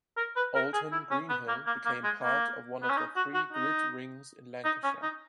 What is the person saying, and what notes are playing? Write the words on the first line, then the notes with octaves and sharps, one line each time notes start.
Oldham Greenhill became part of one of the three grid rings in Lancashire.
A#4
B4
A#4
G#4
E4
C#4
B3
A#3
A#3
A#3
G#3
A#3
B3
C#4
D#4
F#4
F#4
D#4
D#4
C#4
D#4